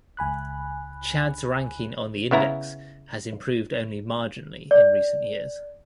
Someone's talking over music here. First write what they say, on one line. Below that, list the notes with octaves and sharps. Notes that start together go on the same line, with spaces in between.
Chad's ranking on the index has improved only marginally in recent years.
C#2 G#5 B5 F#6
C#3 B3 E4 A#5
D5